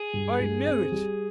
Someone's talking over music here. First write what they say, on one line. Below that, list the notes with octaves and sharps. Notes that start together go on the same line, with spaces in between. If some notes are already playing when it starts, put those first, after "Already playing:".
'I knew it!
Already playing: G#4
G2
G2
C4
G3